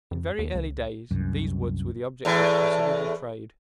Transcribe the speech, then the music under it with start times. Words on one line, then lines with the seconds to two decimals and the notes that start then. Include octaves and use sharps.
In very early days these woods were the object of considerable trade.
0.11 F2
0.39 D#2
0.55 C#2
1.11 C2 F#2
2.25 E2 A2